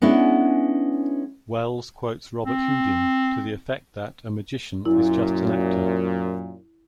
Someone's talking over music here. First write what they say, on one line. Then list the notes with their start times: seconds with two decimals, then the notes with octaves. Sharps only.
Welles quotes Robert-Houdin to the effect that a magician is just an actor.
0.02 G#3 B3 C#4 D4 E4
2.46 C4
4.85 F#2 A#2 E4